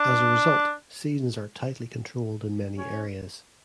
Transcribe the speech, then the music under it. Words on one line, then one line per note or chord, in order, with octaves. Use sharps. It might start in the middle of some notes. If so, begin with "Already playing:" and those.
As a result, seasons are tightly controlled in many areas.
Already playing: D4
C#4